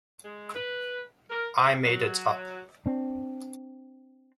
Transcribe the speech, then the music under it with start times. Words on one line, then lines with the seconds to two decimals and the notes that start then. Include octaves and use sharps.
I made it up.
0.25 G#3
0.55 B4
1.30 A#4
1.57 C4
1.85 F#3
2.86 C4 D4